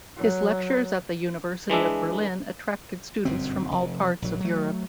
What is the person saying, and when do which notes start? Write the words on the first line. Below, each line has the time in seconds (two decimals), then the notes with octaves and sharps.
His lectures at the University of Berlin attracted students from all parts of Europe.
0.16 F#3
1.70 E3 G#3 D4 E5
3.25 G1 F#2 B2 C4
3.71 F1
4.22 A#1 F#3
4.40 F#3 A3